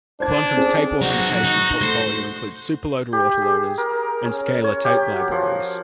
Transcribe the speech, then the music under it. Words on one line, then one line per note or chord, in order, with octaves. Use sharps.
Quantum's tape automation portfolio includes SuperLoader autoloaders and Scalar tape libraries.
D4 C5 G#6
C4 G#4
F#3 D#4 F#4
D#4
A3 C5
G4
G#4
A#4
C#4
C#5
G4
F#4
F3